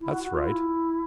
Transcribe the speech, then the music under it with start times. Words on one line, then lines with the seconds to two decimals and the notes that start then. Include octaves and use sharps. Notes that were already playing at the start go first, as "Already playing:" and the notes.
That's right.
0.01 E4
0.12 F#4
0.23 F#4
0.34 F4
0.46 E4